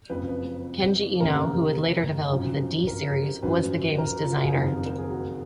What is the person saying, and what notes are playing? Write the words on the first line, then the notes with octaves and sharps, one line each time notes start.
Kenji Eno, who would later develop the "D" series, was the game's designer.
F#1 F2 C#3 F3 B4
B4
F1 D#2 C#3 A#4
G#1 F#2 F3
A#4
G#1 F#2 F3 B4
A#4
F4
F#4
G#4
F#1 F2 D#3 A#4
A#4
G#4
F#4